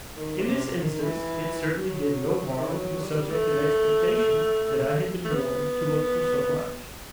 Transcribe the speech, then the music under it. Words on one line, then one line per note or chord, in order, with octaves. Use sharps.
In this instance it certainly did no harm to the subject of expectation that I had been warned to look for so much.
D#3
C3
C3
D#3
E3
F#3
C3
D#3
E3
F#3
G3
A3
A3
B3